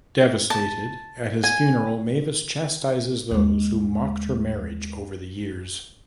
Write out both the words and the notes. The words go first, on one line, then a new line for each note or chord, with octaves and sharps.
Devastated, at his funeral Mavis chastises those who mocked her marriage over the years.
A5
G#5
D#2 G#3